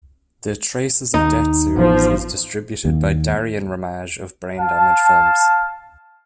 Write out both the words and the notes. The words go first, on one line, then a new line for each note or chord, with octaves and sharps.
The "Traces of Death" series is distributed by Darrin Ramage of Brain Damage Films.
D#2 D#4
A1 F3 B3
D#2
F5 A5